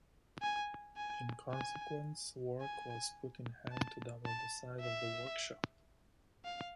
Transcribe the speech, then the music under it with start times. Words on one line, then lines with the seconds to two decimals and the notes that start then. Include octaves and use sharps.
In consequence work was put in hand to double the size of the workshop.
0.42 G#5
0.97 G#5
1.52 G#5
2.61 G#5
3.71 A5
4.26 A5
4.80 E5
6.45 F5